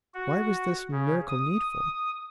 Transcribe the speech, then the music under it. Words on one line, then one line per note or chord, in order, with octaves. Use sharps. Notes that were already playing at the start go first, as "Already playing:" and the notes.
Why was this miracle needful?
F#4
C#3
D#6